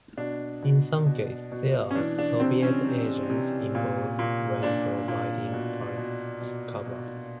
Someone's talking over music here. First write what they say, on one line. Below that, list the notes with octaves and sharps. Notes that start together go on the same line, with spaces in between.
In some cases there were Soviet agents involved when providing false cover.
B2 D4
B2
B2
B2
C#4
E3 D4
D4
C3 C4
C#4
C3
C3
A#2
A#2
A#2 D4
A#2
B2
B2
B2
B2